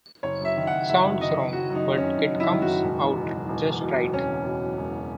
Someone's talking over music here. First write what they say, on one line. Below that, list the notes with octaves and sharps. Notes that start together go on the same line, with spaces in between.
Sounds wrong, but it comes out just right.
F#1 C#5
F#2 E5
D#3
F#1 F#5
F#1 E5
F#2
D#3 D#5
F#1
F#1 F#4
F#2
D#4
D#3
F#1 C#4
F#1 D#4
F#2
E4
D#3
F#1 F#4
E1
E2
B2
F#3
E1
E2
B2
F#3
E1 C#4
E2
B2
F#3
E1